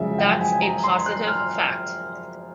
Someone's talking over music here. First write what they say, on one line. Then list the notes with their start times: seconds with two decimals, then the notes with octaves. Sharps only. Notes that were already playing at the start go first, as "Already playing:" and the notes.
That's a positive fact.
Already playing: F#2 C#3 F3 G#3 E5
0.18 G5
0.41 G#5
0.62 A#5
0.84 C6
1.06 F#6
1.27 F6